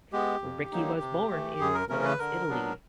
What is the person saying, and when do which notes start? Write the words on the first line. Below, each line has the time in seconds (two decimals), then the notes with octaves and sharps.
Ricci was born in Florence, Italy.
0.12 G#3 B3 G4
0.42 F2
0.71 D3 F#3 A#3 D#4
1.00 C3
1.30 E3 A3
1.60 F#2 G#4
1.74 A#4
1.89 C#3 E3 A3 C#4 A#4
2.04 B4
2.19 D3 A#4
2.49 F#3 B3 D4